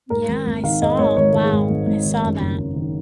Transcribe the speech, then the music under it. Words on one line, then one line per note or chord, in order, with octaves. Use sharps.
Yeah, I saw. Wow, I saw that.
G#2 A#4
G#1
G#1
D#3 F5
G#2 D#5
G#1 C#5
G#1 C#5
D#3
G#4
G#2
G#1
G#1
D#3
F#2
F#1
F#1
D#3